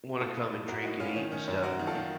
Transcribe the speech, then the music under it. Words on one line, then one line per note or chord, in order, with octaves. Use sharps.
wanna come and drink and eat and stuff. And,
A2 F4 A4
A2
A2
A2 F#4 A#4
A2 D#4 F#4
A2 C#4 F4
D#3 C#4
D#3 C#4
F#2 C#4
F#2 F#4 A#4
D#3
F4 A4
D#3